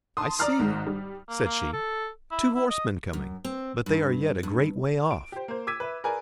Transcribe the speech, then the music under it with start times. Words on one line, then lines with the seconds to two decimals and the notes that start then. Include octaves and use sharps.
"I see," said she, "two horsemen coming, but they are yet a great way off."
0.17 A5 C6 D#6
0.39 D5 A#5 D#6 F6 C7
0.59 G#1 G#2
0.87 G3
1.28 A#3
1.45 A#3
1.73 A4
2.32 E4
2.55 E4
2.69 D#5
3.13 F#2
3.44 C4
3.86 G2
4.43 G2
5.11 D7
5.32 G4 C5
5.48 A#3 C5
5.67 D6 E6 G#6 B6 D#7
5.80 B4 E5
6.04 G#4 A#4 B4 D5 G#5